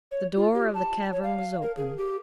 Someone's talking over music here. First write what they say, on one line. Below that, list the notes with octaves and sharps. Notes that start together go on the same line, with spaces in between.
The door of the cavern was open.
C#5
F4
G4
A5
C#5
F5
A#4
G#4
G4